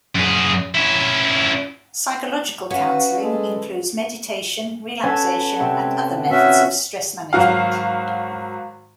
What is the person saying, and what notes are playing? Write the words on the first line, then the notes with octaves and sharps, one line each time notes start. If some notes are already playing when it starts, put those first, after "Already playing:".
Psychological counseling includes meditation, relaxation, and other methods of stress management.
F#2 G#4
C#4 E4
C#4 F#4 B4 F5
G#3 A4
B3 C#4 F#4 A4 G#5 A5
C3 C4 F#5
B3 C#4 F#4 E5
G#1 F#3 F#4 F5